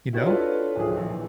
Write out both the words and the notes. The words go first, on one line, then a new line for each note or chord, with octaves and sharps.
You know?
E4 F#4 G4 B4 C#5 D#5
D4 F4 A4 B4 C#5 D5
D1 D#3 F3 G#4
A#1 E3